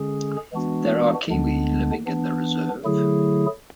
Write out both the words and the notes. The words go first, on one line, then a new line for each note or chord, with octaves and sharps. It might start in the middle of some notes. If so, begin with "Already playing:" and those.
There are kiwi living in the reserve.
Already playing: D3 G#3 C#4 G#4
E3 G#3 B3 D4 F#4
D2 D3 G#3 B3 D4
E3 B3 D4
D3 F#3 A3 E4 G#4